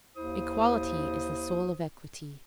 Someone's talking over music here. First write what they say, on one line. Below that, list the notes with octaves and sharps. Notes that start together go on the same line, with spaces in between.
Equality is the soul of equity.
D#2 E4 C5 D#6